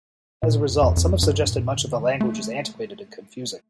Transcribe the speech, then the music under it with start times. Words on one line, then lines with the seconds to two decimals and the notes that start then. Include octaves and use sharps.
As a result, some have suggested much of the language is antiquated and confusing.
0.43 A#2
0.56 A2
0.70 F2
0.83 F2
0.97 F2
1.23 G2
1.50 A#2
1.76 D3
2.03 G3
2.21 A3